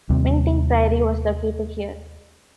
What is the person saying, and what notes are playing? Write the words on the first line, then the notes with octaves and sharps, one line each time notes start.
Minting Priory was located here.
D#2 C3 G3